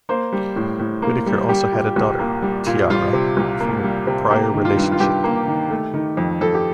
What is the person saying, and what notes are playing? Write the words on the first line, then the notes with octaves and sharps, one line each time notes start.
Whitaker also had a daughter, Tiara, from a prior relationship.
A#3 C5
G3
A2
A2
A#3
G3
G3 G4
A#2
C2
A#3
G3
A#2
G3 F4
C3
C2
A#3
G3
C3
A#3 G4
D#3
F4
G2
F4
G2 G4
A#3
D#3
A3
D#3
F2
F2 A4
G4